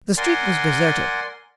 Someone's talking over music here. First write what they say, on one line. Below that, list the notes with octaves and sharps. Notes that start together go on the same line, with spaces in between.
The street was deserted.
A#4 D5 F#5 G#5 C6